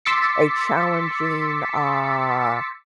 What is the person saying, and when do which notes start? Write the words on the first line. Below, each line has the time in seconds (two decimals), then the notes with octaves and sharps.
a challenging, uh
0.05 C6 D6 E6 A6 B6 C#7